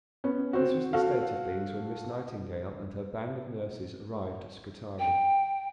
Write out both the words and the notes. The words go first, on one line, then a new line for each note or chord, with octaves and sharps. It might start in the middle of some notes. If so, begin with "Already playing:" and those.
This was the state of things when Miss Nightingale and her band of nurses arrived at Scutari.
B3 C#4
C4 F#4
F#4 A4 F5
G5